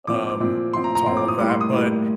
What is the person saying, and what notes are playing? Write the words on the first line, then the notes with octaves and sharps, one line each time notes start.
um, to all of that, but
A#2 F3 C4 D6
D6
A#2 F3 C4
A#2 F3 C4 C6
A#5
A#5
A#2 F3 C4 C6
D6
D#6
A2 G3 A#3 D6
C6
D#6
A2 G3 A#3